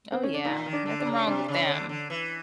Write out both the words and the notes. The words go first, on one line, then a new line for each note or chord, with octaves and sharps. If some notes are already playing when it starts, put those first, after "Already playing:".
Oh, yeah. Nothing wrong with them.
C4
C#4
D4
A#2 D#4
D#3
D4
D3
D4
C#3
C3 D4
C#3
D3
D3
E3